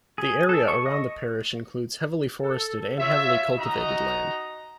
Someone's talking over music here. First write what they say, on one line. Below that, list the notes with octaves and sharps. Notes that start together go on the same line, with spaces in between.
The area around the parish includes heavily forested and heavily cultivated land.
G#4
A4
C#6
D#5
A4
F4 C#5 E5
D#4 F#4 D#5 A#5